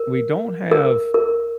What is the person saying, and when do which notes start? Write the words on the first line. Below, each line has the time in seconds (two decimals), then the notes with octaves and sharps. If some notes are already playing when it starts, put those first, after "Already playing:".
we don't have
Already playing: A#4
0.71 A#4
1.14 A#4